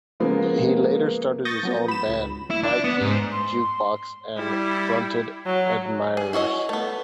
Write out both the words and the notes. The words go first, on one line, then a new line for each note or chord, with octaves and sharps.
He later started his own band, Mikey Jukebox, and fronted Admirers.
C#3 F3 G#3 A#3 B3
C#6 D#6 G6 A6 A#6
F3 F#3 B3
B5 E7
C#2
E4
D4
B3
G#2
C6
G3 E4
F#3
G#4
E4 F#4 C#5 D#5
A3 B3